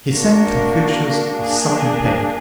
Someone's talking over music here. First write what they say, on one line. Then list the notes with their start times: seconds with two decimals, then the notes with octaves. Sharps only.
He sent Confucius a sucking pig.
0.11 A#3 D4 F#4 A#4
1.34 A#3 D4 G#4